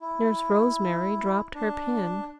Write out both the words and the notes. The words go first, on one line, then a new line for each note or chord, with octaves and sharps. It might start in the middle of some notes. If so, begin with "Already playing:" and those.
Nurse Rosemary dropped her pen.
E4
D4